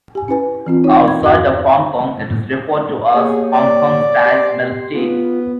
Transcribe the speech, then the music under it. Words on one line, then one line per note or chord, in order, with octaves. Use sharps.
Outside of Hong Kong it is referred to as Hong Kong-style milk tea.
G4 G#5
C#4 E4 B4 G#5
E3 C4 F4
D#4 E4 C#5
A#4 G#6
E2 G2 F#4 F5 F#6
A#3 G4 G#4 C#5
D5
G4 C6
B3 F4